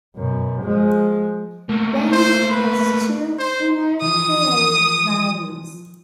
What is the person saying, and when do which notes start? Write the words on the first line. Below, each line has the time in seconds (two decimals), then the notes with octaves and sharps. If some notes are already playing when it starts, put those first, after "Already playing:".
Dang has two "Inner Terai Valleys".
0.16 F#2 B2
0.63 F3 G#3
1.69 A3 A#3
2.12 C5
2.51 B4
3.38 C5
4.02 E3 F3 D#6